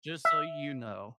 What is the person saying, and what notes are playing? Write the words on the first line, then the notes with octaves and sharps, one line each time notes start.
Just so you know."
E5